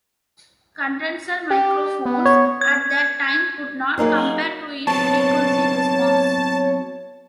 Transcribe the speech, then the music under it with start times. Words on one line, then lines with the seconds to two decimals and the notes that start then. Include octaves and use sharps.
Condenser microphones at the time could not compare to its frequency response.
1.50 G4
2.06 B3
2.26 C#5
2.61 G#6
3.98 F#3 A#3 D#4 G#4
4.87 F#3 B3 C4 C#5 A5